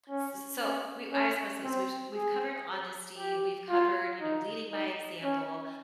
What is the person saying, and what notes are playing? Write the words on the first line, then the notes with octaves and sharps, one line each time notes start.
S s so we I was supposed to so, which we've covered honesty, we've covered, you know, leading by example.
C#4
C#4
C#4
C4
G#4
G4
F4
D#4
D#4
C#4